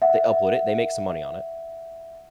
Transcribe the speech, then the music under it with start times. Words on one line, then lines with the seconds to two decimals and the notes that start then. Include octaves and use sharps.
they upload it, they make some money on it.
0.02 E5 F#5